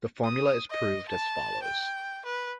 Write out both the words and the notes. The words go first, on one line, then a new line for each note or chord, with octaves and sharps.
The formula is proved as follows.
D#6
D#5
A5
G5
B4